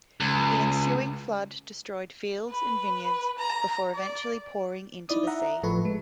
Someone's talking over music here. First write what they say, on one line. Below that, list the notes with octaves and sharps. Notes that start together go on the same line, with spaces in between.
The ensuing flood destroyed fields and vineyards before eventually pouring into the sea.
C#2
B4
A#5
D5
D#4 E4 D5 D#6
E5 F#5 A#5
G#1 A2 F3 A4 B4 C#6
G#3